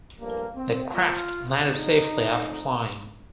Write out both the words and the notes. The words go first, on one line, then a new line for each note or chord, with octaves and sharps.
The craft landed safely after flying.
G2 F3 A3 A#3
C4
A2 F3 A3 F4
F2 D3 A3 D#4
F2 D3 A3